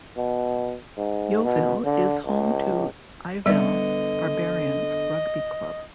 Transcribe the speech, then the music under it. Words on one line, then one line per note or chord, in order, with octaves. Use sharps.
Yeovil is home to Ivel Barbarians Rugby Club.
B2
G#2
B2
D3
C#2
D3 G3 B3 D5 D#5